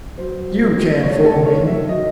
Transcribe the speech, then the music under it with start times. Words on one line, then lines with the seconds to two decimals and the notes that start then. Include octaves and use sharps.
You can't fool me!
0.18 F#3 C5
0.61 C4
1.03 A3 C#5
1.25 A4
1.46 D#3 C#5
1.67 E5
1.89 F#3 D#5